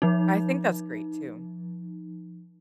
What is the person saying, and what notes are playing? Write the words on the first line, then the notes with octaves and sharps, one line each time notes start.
I think that's great, too.
F3 D#4